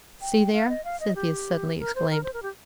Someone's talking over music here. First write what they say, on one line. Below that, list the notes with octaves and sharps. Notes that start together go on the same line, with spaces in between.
"See there!" Cynthia suddenly exclaimed.
G5
F5
D#5
F5
D#5
G4
A#4
C5
A#4
C5
A#4
G4